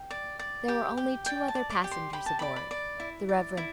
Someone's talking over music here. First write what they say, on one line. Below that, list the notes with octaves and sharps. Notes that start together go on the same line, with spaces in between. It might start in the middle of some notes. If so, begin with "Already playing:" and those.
There were only two other passengers aboard, the Rev.
Already playing: G5
D5
D5
G4
G4
D5 G5
A5
D5
D6
G4
C6
G4 B5
A5
D5 B5
B5
D5
E4
D5
E4